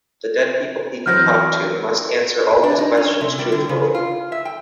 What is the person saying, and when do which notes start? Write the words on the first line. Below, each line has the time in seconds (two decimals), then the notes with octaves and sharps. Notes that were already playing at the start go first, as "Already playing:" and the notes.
The dead people he can talk to must answer all his questions truthfully.
1.06 E3 F#3 C4 F6 G6 A#6
2.63 D4
2.79 D#4
2.97 C#4
3.21 C3
3.39 G3
3.52 D3
3.69 C#3
3.95 F4
4.32 E5
4.45 G5